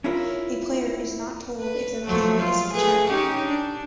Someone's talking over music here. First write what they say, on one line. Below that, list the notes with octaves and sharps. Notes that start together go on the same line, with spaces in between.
A player is not told if their king is in check.
C#4 E4 F4 A#4
B4
F3 F#3 A3
F4
A3 G#4 B4
C#4 D#4 G4
D4